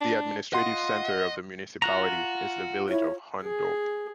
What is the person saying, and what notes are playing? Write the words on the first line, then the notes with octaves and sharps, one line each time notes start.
The administrative centre of the municipality is the village of Hundorp.
D4
F4 D#5 F#5 C6
F4 F#4 F#5 A#5
E4 C#5
G#4